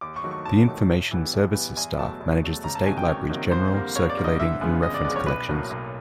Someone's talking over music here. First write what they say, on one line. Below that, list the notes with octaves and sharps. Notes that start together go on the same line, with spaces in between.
The Information Services staff manages the State Library's general, circulating and reference collections.
D#2 D6
C#6
D#3 F#3 A3
C#6
D#2 A5
D#3 F#3 A3
A2
E3 G3 B3
A2
E3 G3 B3
E2 G#5
B2 F#3 A3 A5
E2
B2 F#3 A3
C#2 A#5
A5
C3 D#3 F#3 A#3 G#5
G5
C#2 C#5
C3 D#3 F#3 A#3
F2 C5
D3 G3 A#3
F2 C#5
D5
D3 G3 A#3
D#5
D2 E5
C#3 F3 G#3 B3
D2 D#5
D5
C#3 F3 G#3 B3 D5
C#5
B1 B4
A2 F#3 A#3
B1